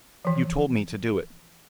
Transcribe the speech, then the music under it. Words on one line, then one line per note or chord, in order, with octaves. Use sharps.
"You told me to do it."
E3 F3